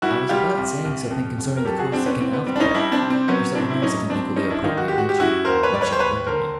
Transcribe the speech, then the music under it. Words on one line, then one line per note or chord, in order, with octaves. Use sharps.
I was about saying something concerning the Kosekin alphabet or something else of an equally appropriate nature, when she prevented me.
G3 E4 F#4
G3 F4 G4
C2
C2
F2
F2
A#4
F#3 G4 A4
F#4 G#4
F2 C4 D4
B3 C#4
E3 C4
B3
G3 C4
D4
C#4 D#4
G3 D4 E4
C4 D4
C3
C4
F#3 B3 C#4
A2 C4 D4
E4
F#3 C#4 D#4
F#3 C4 D4
F#2 C#4 D#4
D4 E4
D#3 D#4 F4
F#4
G#3 G4
F#4
G4
F#2 E4 F#4
D#2 A#4 C5
B4 C#5
G3 D5
B4 C#5
C5
D#2 B4 C#5
D3 A#4 C5